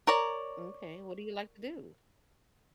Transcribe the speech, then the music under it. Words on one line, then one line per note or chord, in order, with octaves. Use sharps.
M'kay, what do you like to do?
A#4 C#5 D5 A#5